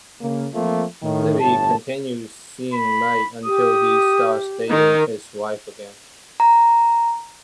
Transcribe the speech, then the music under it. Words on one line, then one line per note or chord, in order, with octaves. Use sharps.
Libby continues seeing Mike until he starts dating his wife again.
C#3 A#3
F3 A3 A#3 C4 F4
A2 D#3
G1 A2 A5
B5
G4 D#6
D#3 D#4
A#5